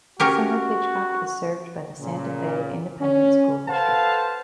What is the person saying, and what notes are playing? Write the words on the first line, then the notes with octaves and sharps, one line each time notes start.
Some of Hitchcock is served by the Santa Fe Independent School District.
C#4 F#4 G4 A#4
A#2 C#3
C#4
A4 B4 C5 F5 F#5 A5